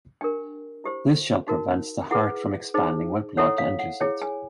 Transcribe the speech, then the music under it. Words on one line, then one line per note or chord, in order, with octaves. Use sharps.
This shell prevents the heart from expanding when blood enters it.
D4 G4 A#4 G5
E4 G4 C5
D#4 F#4 A#4
E4 G#4 B4 F#5
D#4 G#4 C5
E4 A4 C#5 F#5
F5
F#5
E4 G#4 C#5 G5
G#5